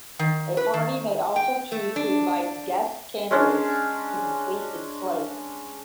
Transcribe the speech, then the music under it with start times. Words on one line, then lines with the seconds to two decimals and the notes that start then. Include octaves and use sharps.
A party may also choose to invite "guest candidates" to complete its slate.
0.19 D#3
0.57 B4
0.74 D#3
1.36 G5
1.72 A3
1.96 D4
3.31 G#3 C#4 D4